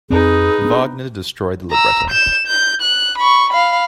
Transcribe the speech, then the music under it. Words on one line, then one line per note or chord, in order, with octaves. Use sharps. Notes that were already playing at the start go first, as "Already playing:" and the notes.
Wagner destroyed the libretto.
F2 C4 D#4 G#4 B4
B3 D4
A#5 E6
G6 E7
G6
F#6
B5 C#6
F5 B5